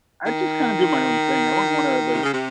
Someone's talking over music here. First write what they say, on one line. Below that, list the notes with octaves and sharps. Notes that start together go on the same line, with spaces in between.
I just kinda do my own thing. I wouldn't wanna, like
D#3
C3
C#3
C3